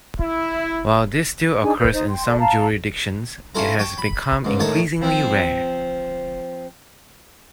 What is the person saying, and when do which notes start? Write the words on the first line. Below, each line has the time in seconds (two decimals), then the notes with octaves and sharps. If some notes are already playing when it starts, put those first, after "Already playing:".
While this still occurs in some jurisdictions, it has become increasingly rare.
0.20 E4
1.62 D4 D#4 G#4 G#5
1.78 B4 G6
1.92 D#4 C5
2.09 G5 C6
2.26 A4 D5
2.40 F5 A5 A#5
3.55 C#4 E4 F4 A4 A#5
3.79 C#5 G5 A5
3.98 B5
4.44 C#2 G#2
4.60 A2 D#3 C#5 A5 A#5
5.01 F3 C4